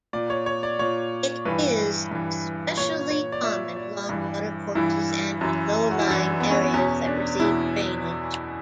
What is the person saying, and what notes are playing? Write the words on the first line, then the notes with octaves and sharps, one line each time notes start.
It is especially common along watercourses and in low-lying areas that receive drainage.
A#2 D5
C#5
C#5
D5
A#2 C#5
G2 E3 B4
G2 E3
A#2 C#5
C#5
D5
A#2 E5
D5
G2 E3
G2 E3 E4
F#2 E3
F#4
E4
F#2 E3 D4
B3
C#4
B3
E2 B2 C#4
D4
E2 B2 E4